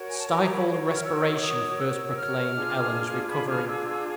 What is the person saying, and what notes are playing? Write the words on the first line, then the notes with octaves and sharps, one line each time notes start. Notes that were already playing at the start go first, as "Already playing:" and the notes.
Stifled respiration first proclaimed Eleanor's recovery.
Already playing: F#4 A#4 C#5
G#5
A5
A#5
B5
C6
C#6
F6
E6
D6
D#6
E6
F6
D4 F4 G#4
B5
F6
E6
E6